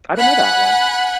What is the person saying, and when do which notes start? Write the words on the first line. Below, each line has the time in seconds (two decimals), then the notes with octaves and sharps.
I don't know that one.
0.18 F#5 G#5 B5 F#6